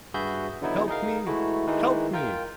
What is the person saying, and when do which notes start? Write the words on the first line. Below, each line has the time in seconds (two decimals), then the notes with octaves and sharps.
Help me! help me!'
0.14 G2 F#4 G#4 B4 E5 G6
0.62 D3 F#3 B3 D#4 E4
0.88 D#4 G#4 A#4 F5
1.27 E3 G#3 A3 E4 F#4
1.67 D#3 E3 G#3 D#4
2.13 F4 A#4 G5